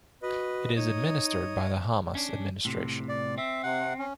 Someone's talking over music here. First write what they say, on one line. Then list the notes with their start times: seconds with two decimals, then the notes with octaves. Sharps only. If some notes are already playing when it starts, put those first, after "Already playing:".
It is administered by the Hamas administration.
0.22 F#4 B4 D#5
0.76 D#4 C#5 D#5 D#6
2.15 C#4 D4
2.65 A2 C3
3.08 D5
3.38 C4 E5
3.63 C3 F#5
3.98 C#4